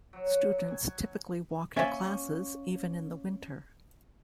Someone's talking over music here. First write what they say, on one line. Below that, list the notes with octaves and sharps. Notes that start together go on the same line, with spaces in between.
Students typically walk to classes, even in the winter.
F#3
F#5
G#5
A#3 C#4 D5 E5 G#5